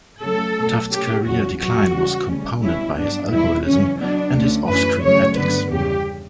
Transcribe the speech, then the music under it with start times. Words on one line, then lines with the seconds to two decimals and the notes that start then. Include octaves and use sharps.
Tuft's career decline was compounded by his alcoholism and his off-screen antics.
0.22 C#3 F#3 A3 A4
0.57 B2 F#3 A3
0.91 B2 A3 C#4 G4
1.26 E2 C#3 F#3 C#4 F#4
1.60 E2 B2 F#3 F#4
1.94 C#3 E3 G3
2.29 D2 C#3 G3 C#4
2.63 B2 G3 C#4 E4
2.97 G2 F#3 B3 D4
3.31 E2 B2 G3 E4
3.65 F#2 C#3 E3 C#4
4.00 B2 F#3 B3 D4
4.34 D2 D3 A3 C#4
4.68 F#2 E3 A3 C#4 B4
5.03 C#3 F#3 A3 C#4 C#5
5.37 G2 D3 F#3 B3 B4
5.71 E2 C#3 G3 G4